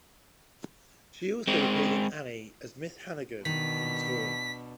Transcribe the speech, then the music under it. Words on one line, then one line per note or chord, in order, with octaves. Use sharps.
She also appeared in "Annie" as Miss Hannigan on tour.
G#3 C4
B2 D#3 D4 B6